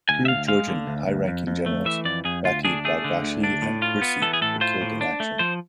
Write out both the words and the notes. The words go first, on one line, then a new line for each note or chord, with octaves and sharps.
Two Georgian high-ranking generals, Rati Baghvashi and Khursi were killed in action.
D2 G#5
E5
D2 F5
G#3 F5
D3
D2
D2
F2
F2
A3
E3 E5
F2 D5
F2 G#4
D2 F4
D4 G#4
A3 G#4
D3
D2
D4
A2
F4
B3
E3 A4
G#4
A2 A4
F4 C5
A2
D4
A3
F3 C5